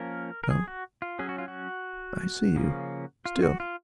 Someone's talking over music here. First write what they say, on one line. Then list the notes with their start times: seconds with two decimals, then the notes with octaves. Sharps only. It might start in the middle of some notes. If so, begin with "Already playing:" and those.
No--I see you--still.
Already playing: F3 A#3 C#4 A#4
0.44 A#4
0.50 G#4
0.68 F#4
1.02 F4
1.19 F#3 C#4 G#4
1.29 F#4
1.38 F4
1.48 F#4
2.56 C#3 F3 A#3 C#4
3.26 F4
3.43 F#4
3.60 F4